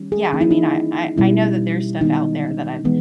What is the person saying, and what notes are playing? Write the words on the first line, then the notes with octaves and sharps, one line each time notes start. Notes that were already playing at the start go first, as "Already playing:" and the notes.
yeah, I mean, I I I know that there's stuff out there that I've
Already playing: D#3 G3 C#4
G#4
E3 A#3 C#4 D#4
E4
D#4
B2 G3 C#4 E4
D#3 G#3 B3 D#4
E3 G#3 B3